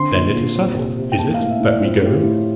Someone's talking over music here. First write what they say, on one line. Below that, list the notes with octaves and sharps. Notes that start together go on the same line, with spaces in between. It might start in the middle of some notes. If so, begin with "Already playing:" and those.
"Then it is settled, is it, that we go?"
Already playing: D3 C4 C6
A#2
A#2
C4
C3
C3
G5
A#3 A5
F5
A2
E5
A2 D5
C4 F4
A2 G4
F4
A2